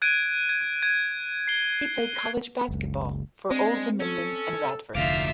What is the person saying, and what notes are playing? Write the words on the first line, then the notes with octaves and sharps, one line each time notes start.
He played college basketball for Old Dominion and Radford.
F#6 G#6 D7 D#7
G#6
G#6
C7 G7
F#1 C#2
G#3 C4 D4
C#4 A4
F1 D2 D3 D#4 F4 D5 E5 F5